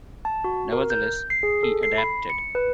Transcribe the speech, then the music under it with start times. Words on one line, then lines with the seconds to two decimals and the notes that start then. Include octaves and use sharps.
Nevertheless, he adapted.
0.25 A5
0.44 F#4
0.72 A#4
0.90 G6
1.30 C7
1.43 G#4
1.63 A4
1.83 C7
1.98 B5
2.30 C#7
2.55 B4